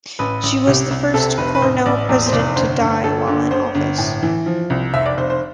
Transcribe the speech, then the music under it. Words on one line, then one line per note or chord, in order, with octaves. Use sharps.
She was the first Cornell president to die while in office.
A1 B4
A1
C2 G4
C2
C3 A4
F1 B4
B4
A1 C5
A1 D5
E2 D5
C5
F1 D5
G1 C5
G1
G1 A4
D3
G1 C5
G1
A2
E3
F3
C2
F1 E5
D5
F1 C5
C5